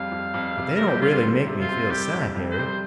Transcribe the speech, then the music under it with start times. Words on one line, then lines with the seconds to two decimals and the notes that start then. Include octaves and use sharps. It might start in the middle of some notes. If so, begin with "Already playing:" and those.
But they don't really make me feel sad, Harry.
Already playing: F2 G3 C4 F5
0.12 F2
0.34 F2
0.56 C3
0.76 G3 A#4
0.88 G4
1.01 G3 F4
1.23 C4
1.46 C3
1.60 F4
1.69 C4
1.90 G3 G4
2.13 F2
2.35 F2
2.50 C5
2.58 G3